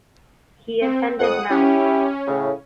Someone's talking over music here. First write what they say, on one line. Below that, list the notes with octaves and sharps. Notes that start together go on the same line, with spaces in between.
He attended Mt.
C4
F2 F#5 D#6
C#4 E4 G4
A2 C#3